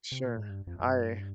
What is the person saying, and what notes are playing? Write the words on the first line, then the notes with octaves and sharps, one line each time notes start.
Sure, I
C3
A#2
G#2
G2
F2
F2
G2